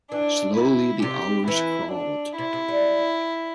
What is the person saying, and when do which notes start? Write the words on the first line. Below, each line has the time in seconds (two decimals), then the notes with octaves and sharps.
Slowly the hours crawled.
0.12 E3 D4
0.57 E4
1.02 C3 G4
1.48 E3 E4
1.93 D4
2.38 C3 E4
2.53 C3
2.68 G3